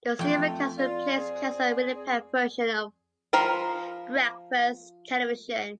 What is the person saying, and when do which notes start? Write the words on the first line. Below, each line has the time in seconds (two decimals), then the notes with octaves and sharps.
The simulcast replaced the cancelled Winnipeg version of "Breakfast Television".
0.19 F2 A3 G5
0.77 F4 D5
1.16 C4 G#4
3.33 F3 A#4 C5 G5 B5